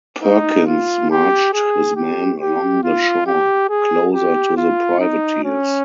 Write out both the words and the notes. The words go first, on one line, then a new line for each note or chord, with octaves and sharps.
Perkins marched his men along the shore, closer to the privateers.
D#4
F4
G4
G#4
G4
G4
F4
G4
G#4
G4
F4
D#4
C#4